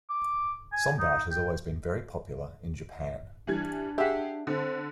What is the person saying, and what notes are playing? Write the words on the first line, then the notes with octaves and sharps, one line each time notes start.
Sombart has always been very popular in Japan.
D6
G#5
D#4
G5
E3 G3 D4 G#6
G4 G#4 E5 F#5
D3 C4